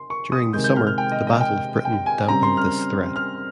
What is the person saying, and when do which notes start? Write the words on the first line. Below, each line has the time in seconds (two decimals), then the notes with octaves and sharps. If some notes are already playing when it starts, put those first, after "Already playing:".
During the summer, the Battle of Britain dampened this threat.
Already playing: C6
0.10 C#6
0.32 D#6
0.53 C3 D#3 G#3 C4 G6
0.64 G6
0.76 F6
0.87 F6
0.98 G5
1.12 D#5
1.27 D#5
1.41 G5
1.85 G5
2.06 G#5
2.28 C#3 G3 C4 A#5
2.43 C6
2.57 F6
3.16 F6